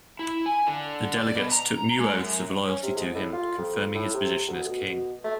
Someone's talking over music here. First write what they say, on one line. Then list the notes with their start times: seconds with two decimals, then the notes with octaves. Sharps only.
The delegates took new oaths of loyalty to him, confirming his position as king.
0.19 E4
0.46 G#5
0.67 D3
1.17 D5
1.35 B2
1.52 A#5
1.99 G#3
2.14 F#2
2.67 C#4
2.83 C3
2.96 G#2
3.14 A2
3.33 F4
3.58 F2
3.95 A2
4.13 C3
4.48 D2
4.67 B2
4.87 B2
5.24 A3